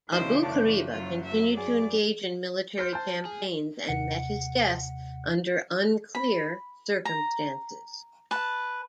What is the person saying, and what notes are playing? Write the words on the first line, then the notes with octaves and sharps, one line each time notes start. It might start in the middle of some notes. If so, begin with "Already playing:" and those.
Abu-Kariba continued to engage in military campaigns and met his death under unclear circumstances.
D#1 B1 C#3 E3 D#4 C5
F#1 D5 A5
F#2 F#3 F4
E5
G#4 D5
C5 F6 G6
A5 G6
G#4
D#2 C3 F#5 C#7
B5
A#5
B4 A5